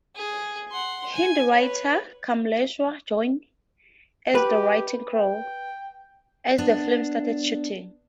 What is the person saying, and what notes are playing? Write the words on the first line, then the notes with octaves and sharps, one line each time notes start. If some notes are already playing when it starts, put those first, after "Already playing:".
Hindi writer Kamleshwar joined as the writing crew, as the film started shooting.
G#4
F#5 C6
G#5
B4 C#5
G4 B4
G5
B3 D4